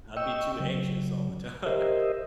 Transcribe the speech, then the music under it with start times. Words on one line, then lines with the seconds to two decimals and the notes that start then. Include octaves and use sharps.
I'd be too anxious all the time.
0.17 D#5 G5 C#6 E6
0.60 C#3 F#3
1.66 G4 A#4 C5 D#5 E5